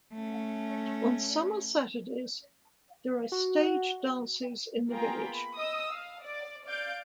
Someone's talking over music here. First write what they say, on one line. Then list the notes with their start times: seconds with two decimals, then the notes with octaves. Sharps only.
On summer Saturdays there are stage dances in the village.
0.13 A3 C#4
3.32 F#4
4.90 A#3 B3 F4 G#4 G5 A#5
5.27 B5
5.58 D#5 D#6 E6
5.93 F5
6.24 D5
6.68 D5 F5 G6 D7